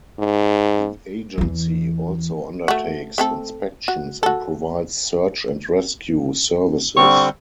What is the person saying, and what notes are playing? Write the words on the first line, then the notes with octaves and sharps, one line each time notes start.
The agency also undertakes inspections and provides search and rescue services.
G#2
E2 E3
A3 F#4
A3 C4 A4
F#4
F#4 A4
D3 G3 C4 C#6